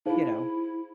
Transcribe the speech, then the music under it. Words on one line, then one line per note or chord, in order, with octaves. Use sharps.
You know?
D#4 E4 G#4 C5 F5 A5